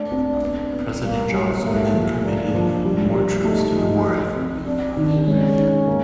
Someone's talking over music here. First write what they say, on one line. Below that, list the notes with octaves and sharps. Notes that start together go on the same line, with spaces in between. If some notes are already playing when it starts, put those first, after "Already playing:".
President Johnson then committed more troops to the war effort.
Already playing: A3 D4
C4
B3
B3
G3 A#3
F#3 G3
A3 A#3
F3
A#3 D4
F3
G3
G3
A3 D#4
F3
F#4
C4
C4 D4
D#3
G#3 C#4
D#4
A#3